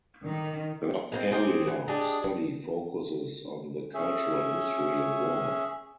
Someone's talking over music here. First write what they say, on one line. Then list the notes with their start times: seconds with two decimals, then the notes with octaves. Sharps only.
Her area of study focuses on the cultural history of war.
0.23 D#3
1.12 G#3 A#3 C4
1.31 C4 G4 G#4 C5
1.67 E3
1.88 D4 G4 G#4 D#5
3.94 C#4 G#4 E5